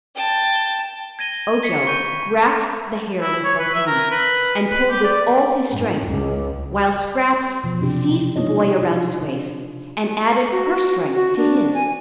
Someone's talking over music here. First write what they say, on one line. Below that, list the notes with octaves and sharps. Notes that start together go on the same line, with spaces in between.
Ojo grasped the hair with both hands and pulled with all his strength, while Scraps seized the boy around his waist and added her strength to his.
G5 A5
G#6 A#6 D#7 G7
B6 C#7
B5 C#6 G6 D#7
E4
C#5
B4
E5
A#4
B4
B4
G4
D5
G#2
C#2
B2 E3 F3
C3 D4 G4
D4 D#4 F4 C#5 D#5
F4
D4
F#4
F#4
D4
G#5